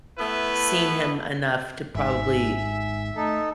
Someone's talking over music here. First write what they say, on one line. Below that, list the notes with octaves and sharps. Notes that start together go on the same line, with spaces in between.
seen him enough to probably
A3 B3 E4 B4
G#1 G#2 E5 G#5
A3 D#4 A4